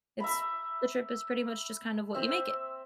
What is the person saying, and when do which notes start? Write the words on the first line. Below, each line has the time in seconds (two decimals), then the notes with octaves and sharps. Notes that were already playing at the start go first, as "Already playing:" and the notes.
It's the trip is pretty much just kind of what you make it.
0.20 E5 A#5 B5
2.14 C4 E5